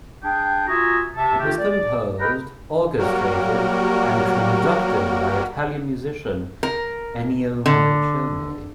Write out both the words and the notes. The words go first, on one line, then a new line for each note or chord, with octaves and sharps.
It was composed, orchestrated, and conducted by Italian musician Ennio Morricone.
D4 G#4 G5
F4 F#4 E5 G#5 A#5 D#6
C3 E5 A5
D#3 A3 F4 G4
D5
A#4 B4 D#5 G5 A#5 B5
F#3 G3 A#3 F#4 A#4
A#4
D3